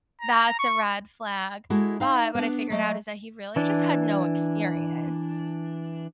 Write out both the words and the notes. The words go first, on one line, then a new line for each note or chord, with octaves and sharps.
that's a red flag." But, what I figured out is that he really just had no experience.
A#5
C#6
G#3 E4 F#4 A4
D#4 F5
B3 D4
F#3 A3 D#5
E3 D4